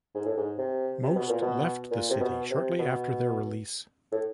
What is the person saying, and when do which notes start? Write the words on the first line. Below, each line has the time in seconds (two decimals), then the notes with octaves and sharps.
Most left the city shortly after their release.
0.15 G#2
0.25 A2
0.37 G#2
0.58 C3
1.03 C3
1.16 B2
1.29 A#2
1.42 B2
1.91 A#2
2.11 C3
2.20 B2
2.50 C3
2.79 B2
4.12 A2